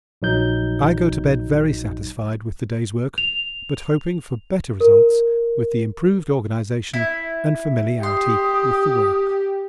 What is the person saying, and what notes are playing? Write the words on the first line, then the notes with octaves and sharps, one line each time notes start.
I go to bed very satisfied with the day's work, but hoping for better results with the improved organisation and familiarity with the work.
A#1 F#3 D#4 G6
F7
A#4
E4
G4 C6 D#6